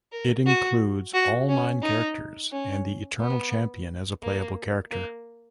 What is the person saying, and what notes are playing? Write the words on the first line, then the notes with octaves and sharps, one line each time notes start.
It includes all nine characters and the Eternal Champion as a playable character.
A#4
F#4
F#4
C#4
D#4
C#4
B3
A#3
A#3